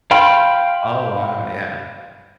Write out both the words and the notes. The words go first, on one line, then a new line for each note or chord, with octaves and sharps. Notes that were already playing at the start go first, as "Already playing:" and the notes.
Oh, wow, yeah.
F5 G5 B5 C6 F6